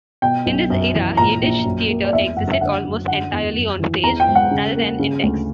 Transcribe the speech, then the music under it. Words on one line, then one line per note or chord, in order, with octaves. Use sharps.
In this era, Yiddish theatre existed almost entirely on stage, rather than in texts.
B2 G5
B1
F#2
E3
A#2 A#5
A#1
F#2
A#3
D5
E2 E5
F#1 F#5
E5
D3 F#5
F#2
D3 F#5
E2
F#2
E3
E2 A#5
G5
E1
F#5
C#3
A#3
C#3
D2